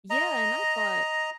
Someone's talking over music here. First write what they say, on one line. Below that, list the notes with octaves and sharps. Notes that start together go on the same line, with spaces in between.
Yeah, and I thought
D#5 A#5